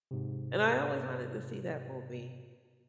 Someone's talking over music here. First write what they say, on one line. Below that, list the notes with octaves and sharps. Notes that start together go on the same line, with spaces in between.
and I always wanted to see that movie.
G#2 C3